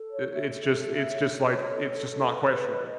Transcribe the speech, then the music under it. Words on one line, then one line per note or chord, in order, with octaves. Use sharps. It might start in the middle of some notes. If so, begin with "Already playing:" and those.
i it's just it's just like it's just not questionable.
Already playing: A4
C#5
E5
A4
A4
E5
C#5
C#5
C#5
A4
C#5
A4
B4
B4
D#5